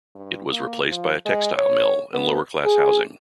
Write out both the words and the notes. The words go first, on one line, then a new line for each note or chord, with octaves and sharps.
It was replaced by a textile mill and lower-class housing.
G2
A#3
F3
G#3
C#5
B3
G#4